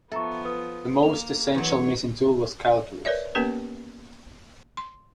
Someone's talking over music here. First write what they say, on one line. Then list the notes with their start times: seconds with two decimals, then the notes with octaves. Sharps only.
The most essential missing tool was calculus.
0.12 F3 B3 A4 E5 A#5 C#6
0.45 B4 D#6
1.03 A#3 F7
1.54 E2 F#3 C#5
3.05 A#4 B4 C#5 D5 E5
3.35 A#3 B3 C#4 G4 A#4 B4
4.77 C6